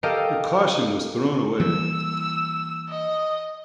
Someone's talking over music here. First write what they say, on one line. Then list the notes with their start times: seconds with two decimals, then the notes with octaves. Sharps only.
Her caution was thrown away.
0.03 G4 A4 A#4 D#5 F5
1.60 E3 G3 A#3 E6
2.89 D#5